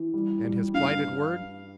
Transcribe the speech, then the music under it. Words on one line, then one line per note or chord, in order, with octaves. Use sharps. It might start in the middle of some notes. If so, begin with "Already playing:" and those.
And his plighted word?
Already playing: E3
G3
G3
G2 F5